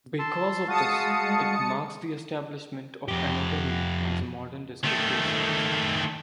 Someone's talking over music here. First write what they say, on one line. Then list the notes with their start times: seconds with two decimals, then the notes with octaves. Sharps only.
Because of this, it marks the establishment of anatomy as a modern descriptive science.
0.19 A5 C6 E6
0.68 G#3 F#4 F5 A5 D#6 C#7
3.08 F2 G4
4.84 D#3 A3